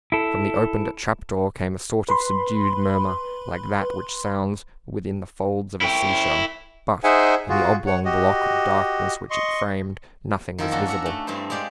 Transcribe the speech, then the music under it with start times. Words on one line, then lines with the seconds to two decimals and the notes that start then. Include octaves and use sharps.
From the opened trap-door came a sort of subdued murmur, like that which sounds within the folds of a sea-shell, but, in the oblong block of darkness which it framed, nothing was visible.
0.12 E4 A4
2.09 B4 B5 C6
5.81 E4 G5
7.04 D#4 G#4 C5 E5 F#5 G#5
7.49 F4 F#4 G#4
7.86 C#5 F#5
8.05 F#4 G4 D#5
9.30 D#5 C6 C#6
10.58 D#3 F3 E4 A#4
10.71 A#3 C#4 D4 F#4 A4
10.88 F#4 E5 F#5 A#5
11.06 A3
11.27 G2 A3 C4 E4 C5
11.50 G#3 D4 G4 D5 F5